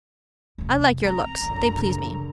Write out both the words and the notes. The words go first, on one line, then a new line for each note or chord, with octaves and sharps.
I like your looks; they please me.
F2 C3
C4 A#5
A1 F#2 D3 E3
C#3 E3